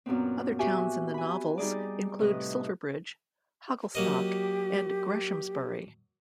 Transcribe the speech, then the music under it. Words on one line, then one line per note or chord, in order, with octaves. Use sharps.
Other towns in the novels include Silverbridge, Hogglestock and Greshamsbury.
F#2 A#2 B3 C4
F#4 G4 E5 G#5
G#5 B5
G3 D#4 G#4 D5
A2 C3 B4 D#5
F#3 A#3 G4 D#5